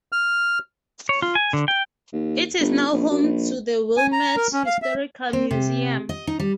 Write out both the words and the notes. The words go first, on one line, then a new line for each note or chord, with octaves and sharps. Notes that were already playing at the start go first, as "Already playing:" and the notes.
It is now home to the Wilmette Historical Museum.
F6
C#5
F4
G#5
D3
G5
D#2
G1
A#1
F#2
A#1
G#5
A#5
A#4
C#4
F5
E5
C4
C3
D#5
D#4
G3